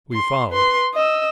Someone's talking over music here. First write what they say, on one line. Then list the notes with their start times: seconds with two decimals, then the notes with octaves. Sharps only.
We followed.
0.13 C6
0.51 B4 C6
0.94 D#5 E6